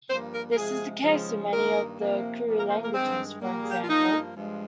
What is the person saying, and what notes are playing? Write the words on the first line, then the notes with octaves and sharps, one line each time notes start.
This is the case with many of the Kru languages, for example.
G2 F3 A#3 C5
A#4
A#4
C3 F3 G#3 G#4
D#2 C#3 F3 G#3
G2 D#3 A#3 A#4
C3 F3 A#3
C3 F3 A#3
A#4
C5
A#4
G2 D#3 G#3 C4
A#2 G3 A#3
G#4
G4
F4
G2 F3 A#3 D#4
G2 F3 G#3